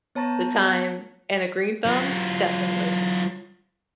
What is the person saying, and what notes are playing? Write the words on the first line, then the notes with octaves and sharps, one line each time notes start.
the time, and a green thumb, definitely.
B3 C#5 A5 A#5 A6 A#6
F#3 F4